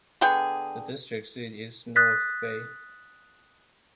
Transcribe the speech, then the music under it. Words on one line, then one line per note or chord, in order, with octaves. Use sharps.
The district seat is North Bay.
D3 B3 G#4 G5
D#6 F#6 A6 B6